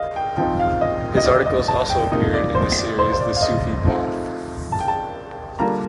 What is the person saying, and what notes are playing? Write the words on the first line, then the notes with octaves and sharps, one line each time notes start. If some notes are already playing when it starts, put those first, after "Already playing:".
His articles also appeared in the series The Sufi Path.
Already playing: D#5 F5
G5
F3 C4 D#4 G5
F5
D#5
D#5
D5
D#5
A5
G5
C3 F3 A#3 D#4 D#5
D5
C5
D5
C5
C5
D5
F5
D#5
F3 A3 C4 D#4
A5
G5
A5
D3 G3 A#3 D4 F4 A#5